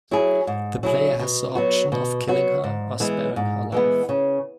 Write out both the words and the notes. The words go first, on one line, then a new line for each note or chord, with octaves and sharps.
The player has the option of killing her or sparing her life.
F#3 E4 G#4
G#2
F#3 E4 G#4
B2
F#3 B3 F#4
B2
F#3 B3 F#4
G#2
E3 G#3 B3
G#2
E3 G#3 B3
C#3